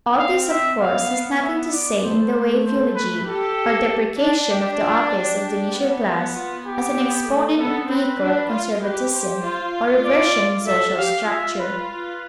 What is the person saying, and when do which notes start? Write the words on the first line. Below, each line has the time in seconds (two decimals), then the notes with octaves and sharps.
All this, of course, has nothing to say in the way of eulogy or deprecation of the office of the leisure class as an exponent and vehicle of conservatism or reversion in social structure.
0.18 C4 F5
0.49 E5
0.79 B3 F5
1.42 E5
1.72 D5
2.03 A3 C5
2.33 A3
2.65 C5
2.95 B4
3.26 G4 A4
4.19 D4
4.50 G4
4.81 F4
5.11 G4
5.73 B3
6.36 F4
6.66 G4
6.96 B3
7.28 A3
7.58 B3 A4
7.89 C4 B4
8.20 D4
8.51 F4
8.82 G4 B4
9.12 C5
9.44 F4
10.05 D5
10.66 A4 E5
10.98 G4 F5
11.28 F4 E5
11.59 B4
11.91 B4